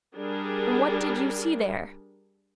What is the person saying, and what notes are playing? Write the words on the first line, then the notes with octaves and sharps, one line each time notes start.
'And what did you see there?'
G3 D4 G#4 A#4